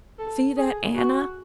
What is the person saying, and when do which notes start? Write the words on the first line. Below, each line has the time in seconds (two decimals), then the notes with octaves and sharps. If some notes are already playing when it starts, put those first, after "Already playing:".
'See that, Anna?
0.19 A4
0.57 G#4
0.94 F#4